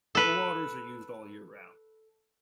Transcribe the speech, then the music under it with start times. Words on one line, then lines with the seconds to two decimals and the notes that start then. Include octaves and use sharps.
The waters are used all year round.
0.15 A4 B4